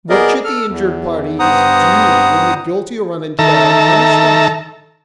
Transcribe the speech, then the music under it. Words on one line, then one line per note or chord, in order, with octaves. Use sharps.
What should the injured parties do when the guilty run into their own punishment?
B3 G#4 A#4 D5 D#5
A4 F6
E2
G2 B3 C5 F#5 A#5 D#6
D#3 A4 E5 A5 A#5